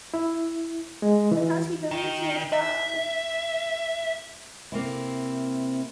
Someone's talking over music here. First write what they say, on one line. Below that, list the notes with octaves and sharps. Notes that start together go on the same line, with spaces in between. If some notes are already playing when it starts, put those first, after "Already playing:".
Because he believes he is dumb.
E4
G#3
E3
D#3
E5
C3 A#3 C4 E4